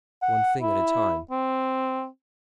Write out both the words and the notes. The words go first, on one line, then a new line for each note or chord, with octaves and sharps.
One thing at a time.
F#5
E4
C4